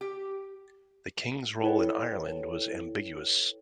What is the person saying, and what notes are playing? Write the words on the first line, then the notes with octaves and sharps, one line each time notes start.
The King's role in Ireland was ambiguous.
G4
E4 A4 B4 C#5 G5